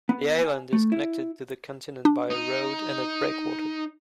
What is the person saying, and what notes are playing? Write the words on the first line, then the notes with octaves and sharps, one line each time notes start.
The island is connected to the continent by a road and a breakwater.
B3
G#5
A3
E4
D4
D#4